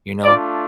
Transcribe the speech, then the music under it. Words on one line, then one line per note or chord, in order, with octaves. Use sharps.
You know?
A3 D4 F4 D5